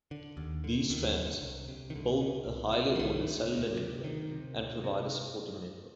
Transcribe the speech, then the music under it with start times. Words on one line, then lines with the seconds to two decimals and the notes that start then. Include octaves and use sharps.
These strands build a highly ordered cellular network and provide a supporting network.
0.11 D3
0.37 D#2
0.64 D3
0.90 D#2 D#3
1.16 D3
1.42 C2
1.68 C3
1.90 D#3
1.95 C2 D3
2.21 C3
2.47 C2
2.73 C3
2.95 F3
2.99 C2 D#3
3.25 C3
3.52 D2
3.79 C3
4.04 D2 D#3
4.31 C3
4.57 D2
4.84 C3